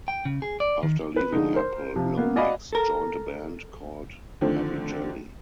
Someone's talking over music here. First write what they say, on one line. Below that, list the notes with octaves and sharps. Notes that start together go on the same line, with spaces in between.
After leaving Apple, Lomax joined a band called Heavy Jelly.
G5
C#3
G#4
D5
D#3
B4
D3 F3 G#3 D#4
A#4 C5
C3 F3
A#3 B3
F#4 D5 D#5 F5 G#5 B5
A4 A#4
D3 D#3 F3 A3 C4 D4